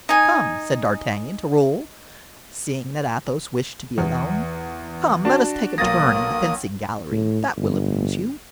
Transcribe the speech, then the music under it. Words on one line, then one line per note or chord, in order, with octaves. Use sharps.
"Come," said D'Artagnan to Raoul, seeing that Athos wished to be alone, "come, let us take a turn in the fencing gallery; that will amuse you."
D#4 G#5
E2
D4 F#4 A5
B1 A#3 D#6 A6 A#6
A2
G1